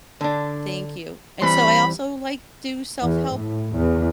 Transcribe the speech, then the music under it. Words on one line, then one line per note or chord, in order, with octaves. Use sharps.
thank you, and so I also, like, do self-help
D3 D4
E3 G3 C4 B5
E2
A2
E2